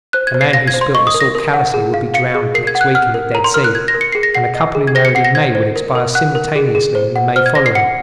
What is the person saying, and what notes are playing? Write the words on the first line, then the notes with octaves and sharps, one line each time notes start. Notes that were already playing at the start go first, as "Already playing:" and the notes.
A man who spilt the salt callously would be drowned next week in the Dead Sea, and a couple who married in May would expire simultaneously in the May following.
C5 F#6
G#6
C5
C7
F5 A#6
G#6
C5
C6
D#5 C#6
D#6
A#4
A#6
A#4
F#5
G#4
F5
F5 C#7
G#4
A#4 C7
G#6
F#5
F#6
F#5 F6
A#4
A#4 A#5
C6
A#4 F6
F#6
A#4 G#6
A#6
A#4
C#7
G#4 C7
A#6
F#5 C7
D#5
G#4
G#6
C5 A#6
C#7
F#5 C7
A#6
C5 G#6
C5
A#4
A#4
F#5 F#6
A#4
G#4
G#4
C5
F#5
C5 F6
G#6
C5 A#6
C7
F#5 C#7